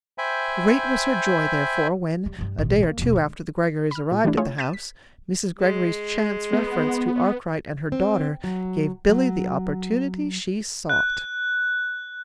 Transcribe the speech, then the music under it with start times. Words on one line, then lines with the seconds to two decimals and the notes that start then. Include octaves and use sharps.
Great was her joy, therefore, when, a day or two after the Greggorys arrived at the house, Mrs. Greggory's chance reference to Arkwright and her daughter gave Billy the opportunity she sought.
0.18 C5 E5 G5 G#5 B5
2.26 G3
2.39 G2 G3
2.58 A1 B2
2.83 A#3
2.99 E1 B2
3.13 D3 G#3
3.91 B5 F6
4.11 A#2 G#5
4.24 E3 G3 A3 D4 E4
4.37 A3 F4 G#4 C#5
4.58 G6 A6 B6 D#7 E7
4.73 B6
5.59 G#3
6.53 B3
7.92 C4
8.44 F#3
9.09 F#3
10.89 F#6